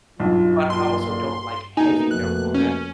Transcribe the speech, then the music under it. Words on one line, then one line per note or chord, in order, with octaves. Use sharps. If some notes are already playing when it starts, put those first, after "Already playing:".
But I also don't like heavy dump on that.
B1 G2 D4 D#4 F4
A#2 C6
B2 A3 A#3 D#4 G#5
F1 F#6
C#4